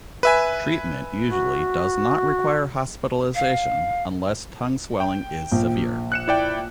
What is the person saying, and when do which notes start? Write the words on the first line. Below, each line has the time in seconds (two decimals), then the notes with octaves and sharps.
Treatment usually does not require hospitalization unless tongue swelling is severe.
0.23 B4 E5 G#5
1.29 F#4
3.35 F5
5.00 G5
5.52 A#1
6.12 F#6 C#7 E7
6.28 E4 D5 G5